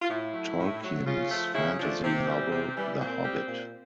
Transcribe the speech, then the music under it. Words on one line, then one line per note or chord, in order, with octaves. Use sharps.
Tolkien's fantasy novel "The Hobbit".
F4
A2 E4
F#3 A3
A2
F#3 A3
C#3 F4
F3 A3
C#3 E4
F3 A3 D4
C3 C4
E3 G3
C3
E3 G3
A#2 C4
G3
A#2